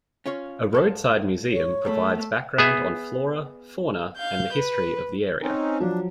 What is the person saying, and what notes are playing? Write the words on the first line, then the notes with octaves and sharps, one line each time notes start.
A roadside museum provides background on flora, fauna, and the history of the area.
C#4 F4 C#5
G#2 A4 F5
C#5
G#2 A3 A4 B5
B3 G#4 E5
F5 G6
B4
C4 C#4 D#4
F3 F#3 D4